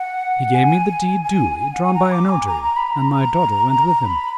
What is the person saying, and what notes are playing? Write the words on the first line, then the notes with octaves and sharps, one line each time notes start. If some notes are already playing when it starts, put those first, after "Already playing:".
He gave me the deed duly drawn by a notary, and my daughter went with him.
Already playing: F#5
G#5
G#5
G#5
F#5
G#5
A#5
D6
G#5
G#5
A#5
A#5
B5
A#5
B5